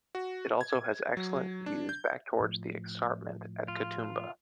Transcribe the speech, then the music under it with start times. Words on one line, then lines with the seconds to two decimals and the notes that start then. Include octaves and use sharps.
It also has excellent views back towards the escarpment at Katoomba.
0.15 F#4
0.61 G#6
1.17 F#3
1.66 D4
1.89 G6
2.40 A2 F3
3.68 F4